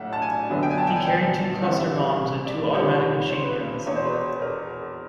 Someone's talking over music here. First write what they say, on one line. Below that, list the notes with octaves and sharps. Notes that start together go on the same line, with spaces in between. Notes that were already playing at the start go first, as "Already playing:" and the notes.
He carried two cluster bombs and two automatic machine guns.
Already playing: B1 A2 F#3 E5 F#5
A5
G#5
F#2 D3 F#3 B3
G5
G#5
A5
G5
G#5
G5
G2 E3 G3 C4 F#5
E5
D5
F2 C3 D#3 G3 C4 C#5
C5
B4
E1 E2 B2 C#5
C5
B4
C5
A#4